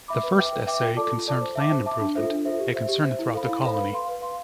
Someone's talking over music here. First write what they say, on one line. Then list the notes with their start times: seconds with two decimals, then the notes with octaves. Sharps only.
The first essay concerned land improvement, a concern throughout the colony.
0.08 E5 B5 D6
0.23 B4
0.38 E5 G5 D6
0.53 B4
0.67 E5 G5 D6
0.81 F4
0.97 A4 D5 A5 D6
1.12 F4
1.27 A4 D5 A5 D6
1.41 C5
1.55 E5 A5 D6
1.71 C5
1.86 E5 A5 D6
2.00 D4
2.15 F4 A4 C5 E5
2.31 D4
2.45 F4 A4 C5 E5
2.60 G4
2.74 C5 E5
2.89 G4
3.03 C5 E5
3.19 E4
3.34 A4 C5 F5 B5
3.49 E4
3.64 A4 C5 F5 B5
3.78 B4
3.93 F5 C6
4.08 B4
4.22 F5 C6